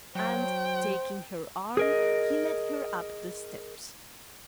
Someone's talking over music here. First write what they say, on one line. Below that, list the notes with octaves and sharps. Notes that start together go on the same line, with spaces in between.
And, taking her arm, he led her up the steps.
F#3 C5 G5
G#4 A#4 D#5